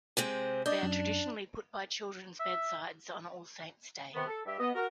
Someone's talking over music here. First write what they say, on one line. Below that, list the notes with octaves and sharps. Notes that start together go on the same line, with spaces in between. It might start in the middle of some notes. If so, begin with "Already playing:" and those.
They are traditionally put by children's bedsides on All Saints' Day.
C3 G#3 C4
D4 D5 D#5 G6
F#2
E5
C3 D#3 B3
A4
G2 G4 E5
B3 D#5
F#4 A#4